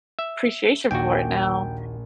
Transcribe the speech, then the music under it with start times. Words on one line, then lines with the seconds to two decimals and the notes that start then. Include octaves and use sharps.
appreciation for it now.
0.19 E5
0.91 A#1 D#2 F#4 G5 G#5